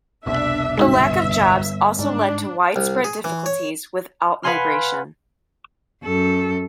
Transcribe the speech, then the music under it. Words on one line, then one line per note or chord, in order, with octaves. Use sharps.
The lack of jobs also led to widespread difficulties with outmigration.
F1 C2 B2 D4 E5
G1 G#3 D#4 F#4 E5
G#2 D4
C2
G#4
E3
C#5
B4 F5 F#5 G#5 C6 F6
F#2 A4